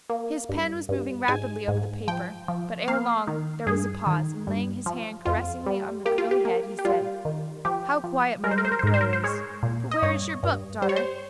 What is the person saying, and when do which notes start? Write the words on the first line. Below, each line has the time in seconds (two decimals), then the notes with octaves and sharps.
His pen was moving rapidly over the paper, but ere long there was a pause, and laying his hand caressingly on the curly head, he said, "How quiet my little girl is; but where is your book, daughter?"
0.10 A#3
0.49 G2
0.89 G2
1.28 G#2 G#5
1.68 G#2
2.08 F3 G5
2.48 F3
2.88 A#3 F5
3.27 D#3
3.67 G2 G#4
4.07 D#3
4.47 G2
4.86 F3
5.26 F2 F4
5.66 G3
6.05 A#3 G4
6.18 F4
6.31 G4
6.45 A#3
6.79 G4
6.85 G3 F4
7.25 D#3
7.65 F3 G4
8.04 F3
8.44 G3 A#4
8.51 C5
8.58 A#4
8.65 C5
8.72 A#4
8.79 C5
8.83 G#2 A#4
8.94 C5
9.01 A#4
9.13 C5
9.24 G#3 C#5
9.63 A#2
9.92 D#5
10.02 G2 C#5
10.43 G2
10.82 G3 C5
10.89 C#5
10.96 C5